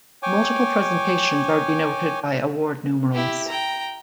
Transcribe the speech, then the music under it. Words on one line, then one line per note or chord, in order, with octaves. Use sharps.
Multiple presentations are denoted by award numerals.
C#5 G5 G#5 D6
E4 G4
G5 A#5